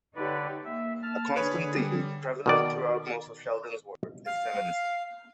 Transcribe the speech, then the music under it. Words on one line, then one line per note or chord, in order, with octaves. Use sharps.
A constant theme, prevalent throughout most of Sheldon's work, is feminism.
D3 D#4 G4 B4 C#5 D5
A#3 E5
A5 F6
D3 G#4 B4 C#5 B5
G3
B2 D#3 D5
F5